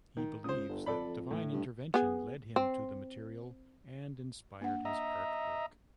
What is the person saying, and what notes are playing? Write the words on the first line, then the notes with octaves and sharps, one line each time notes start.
He believes that divine intervention led him to the material and inspired his artwork.
D#3
C#2 C5 D#6
G1
F2 A4 D5 B5
A2
G2
B3 G#4
C4
A#3 D4 F#5
D#5 E5 A#5